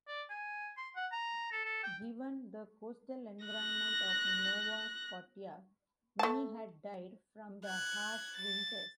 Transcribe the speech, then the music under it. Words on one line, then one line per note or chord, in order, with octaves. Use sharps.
Given the coastal environment of Nova Scotia, many had died from the harsh winters.
D5
G#5
C6
F#5
A#5
A4
A4
G5
F#6 A#6
A3 A5
F#6 G#6
A6